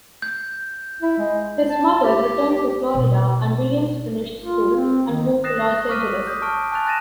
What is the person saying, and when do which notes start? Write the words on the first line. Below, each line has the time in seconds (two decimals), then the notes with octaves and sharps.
His mother returned to Florida, and Williams finished school and moved to Los Angeles.
0.22 G6
1.02 E4
1.18 G#3
1.70 A5
2.03 G4
2.95 B2
4.41 F4
4.76 C4
5.07 D#3
5.44 D#6 F#6 A6 A#6 C7 E7
5.89 C#6 D6 F6 B6 D#7
6.27 D#6 G6
6.42 A5 C#6 F6 D7
6.72 G#5 A5 C#6 F#6 A6 F7
6.86 B5 F#6 A6 A#6 D#7 E7